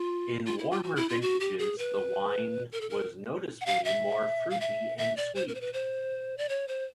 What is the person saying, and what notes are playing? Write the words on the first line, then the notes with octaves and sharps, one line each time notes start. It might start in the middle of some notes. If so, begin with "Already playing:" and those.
In warmer vintages the wine was noticeably more fruity and sweet.
Already playing: F4
F4
E4
F4
F#4
E4
F4
F#4
G4
G#4
B4
A#4
A4
A#4
F#5
F5
E5
F5
E5
E5
D5
C5
A#4
C5
B4
C5
D5
C#5
C5